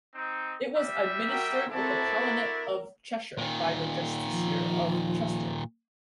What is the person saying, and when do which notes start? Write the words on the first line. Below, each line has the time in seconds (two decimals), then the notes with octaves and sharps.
It was administered with the Palatinate of Cheshire by the Justiciar of Chester.
0.15 C4 D#4
0.75 G3 C4 E5
1.28 F#4 A#4 G5
1.71 C4 E4 F#4 A4 A#4 D5
2.19 A#4
3.38 A#2 D#3
4.30 F3